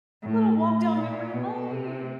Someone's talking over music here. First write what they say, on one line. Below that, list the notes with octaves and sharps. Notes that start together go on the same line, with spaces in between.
Little walk down memory lane.
A2
A2
A#2
B2
C3